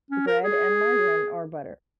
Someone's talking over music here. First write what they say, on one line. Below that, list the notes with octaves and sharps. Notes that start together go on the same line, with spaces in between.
bread and margarine or butter.
C#4
A#4
G#4